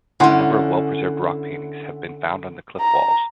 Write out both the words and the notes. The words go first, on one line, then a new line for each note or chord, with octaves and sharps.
A number of well-preserved rock-paintings have been found on the cliff walls.
D3 C#4 E4 F#5 C6
A#5